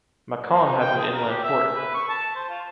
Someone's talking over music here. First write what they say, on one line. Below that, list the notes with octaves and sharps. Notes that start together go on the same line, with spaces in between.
Mâcon has an inland port.
A#3
D#4
G5
G#4
A#4
G4
E5
B4
C#6
A5
C5
F4